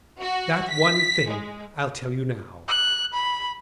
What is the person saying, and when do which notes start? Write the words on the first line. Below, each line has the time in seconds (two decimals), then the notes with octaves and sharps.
That one thing I'll tell you now....
0.21 F#4
0.70 B6
1.29 G#3
2.68 F#6
3.13 B5